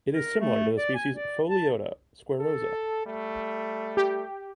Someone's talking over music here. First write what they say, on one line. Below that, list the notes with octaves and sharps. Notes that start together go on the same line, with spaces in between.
It is similar to the species "Pholiota squarrosa".
A#4
A3
D5
G#5
D5
A5
A4
G3 A3
G4